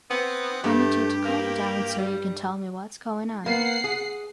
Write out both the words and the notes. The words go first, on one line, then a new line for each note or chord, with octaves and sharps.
I need you to calm down so you can tell me what's going on.
B3 C4 F#5
G2 A3 G4
A#3
G3
A#3 B3 F#5 C7
G#4